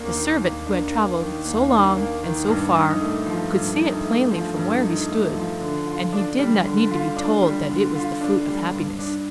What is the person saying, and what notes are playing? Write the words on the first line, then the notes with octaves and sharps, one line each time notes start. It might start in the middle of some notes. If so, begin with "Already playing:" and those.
The servant, who had travelled so long and so far, could see it plainly from where he stood, and he did not need to be told that it was the fruit of happiness.
Already playing: D#2 A#3 D4
D#3
D#2
D4
A#3
D#3
D#2
D4
A#3
D#3
G2
D#4
A3
F3
G2
D#4
A3
F3
G2
D#4
A3
F3
D3
F4
D4
G3
D3
F4
D4
G3
D3
F4
D4
G3
G2
D4